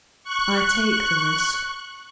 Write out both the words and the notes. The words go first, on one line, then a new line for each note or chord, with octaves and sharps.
'I take the risk.
C#6 F#6